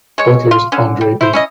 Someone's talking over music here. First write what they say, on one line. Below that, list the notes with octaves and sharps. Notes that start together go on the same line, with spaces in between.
Butler's Andre B.
G#3 C#5
F4
D3 C#4
G3
E4 C5
C#4 E4 D#5